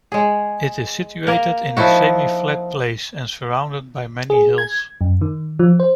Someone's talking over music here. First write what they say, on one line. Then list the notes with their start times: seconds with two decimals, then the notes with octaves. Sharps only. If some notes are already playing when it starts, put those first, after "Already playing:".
It is situated in a semi flat place and surrounded by many hills.
0.12 G#3 G#4
1.27 A#3 A#4
1.77 F3 D#4 E4 F#4
4.30 G#4
4.58 G#6
5.01 F#2
5.21 D#3
5.59 F3
5.80 C5